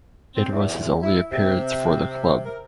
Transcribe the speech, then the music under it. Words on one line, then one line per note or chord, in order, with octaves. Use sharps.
It was his only appearance for the club.
C4
E2
E4
C3
A#4